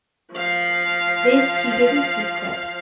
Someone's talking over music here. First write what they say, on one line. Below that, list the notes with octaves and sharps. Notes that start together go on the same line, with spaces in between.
This he did in secret.
F3 F5